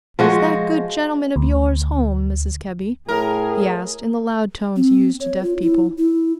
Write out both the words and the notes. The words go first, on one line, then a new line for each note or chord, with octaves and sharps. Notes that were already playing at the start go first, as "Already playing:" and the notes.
"Is that good gentleman of yours home, Mrs. Kebby?" he asked, in the loud tones used to deaf people.
F3 G#3 F#4
D2
A2 G#4 A#4
C4
C#5
F4
E4
E4